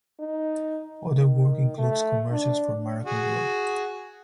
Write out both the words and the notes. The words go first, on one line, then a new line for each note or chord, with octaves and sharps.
Other work includes commercials for Miracle-Gro.
D#4
D#3
A3
D4
F#4 G#4